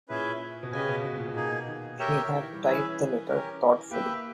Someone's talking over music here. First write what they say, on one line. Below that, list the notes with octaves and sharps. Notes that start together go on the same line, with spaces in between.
He had typed the letter thoughtfully.
A#2 C#4 E4 G#4 B4 E5
B2
C#3 C#4 G4 B4 D#5 G#5
B2
B2
A#2
B2
A#3 D#4 G#4
D#3
G4 A#4 C#5 E5 G5
D#3
E3
G3
E3 C#4 G#4 B4 E5
C#4 G4 A#4
A#3 G4 B4 E5 G5